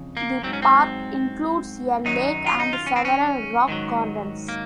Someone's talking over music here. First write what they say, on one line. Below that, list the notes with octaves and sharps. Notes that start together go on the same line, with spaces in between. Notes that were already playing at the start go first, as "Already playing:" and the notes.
The park includes a lake and several rock gardens.
Already playing: F2 C#3
A#3
G#2 F#3 C4
C#4
C4
F#2 D#3 F#3 D#4
F4
D#4
F4
C#4
C4
C#4
G#2 D#3 F#3
A#3